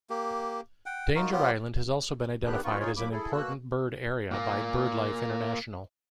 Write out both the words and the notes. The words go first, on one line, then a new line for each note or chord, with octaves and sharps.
Danger Island has also been identified as an Important Bird Area by BirdLife International.
A#3 G4
F#5 G5
D#4 F4 F#4 A#4
F#3 B3 F4 G4
D3 D#3 B3 D4 G4 F#6
F#2 B3 D#4 F4 C#6
D#4 F4 G#4 C#5
D#2 F#3 A#3 B5 D6
E4 G#4 A4
B2 A#3 F#4 E6 F#6
A#2 A#3